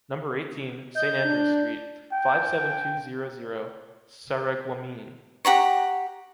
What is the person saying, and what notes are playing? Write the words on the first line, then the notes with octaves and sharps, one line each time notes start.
Number eighteen, St Andrews street, five-seven-two-zero-zero, Sarreguemines.
D#5 G6
D4
G5
G4 F#5 A#5 C#6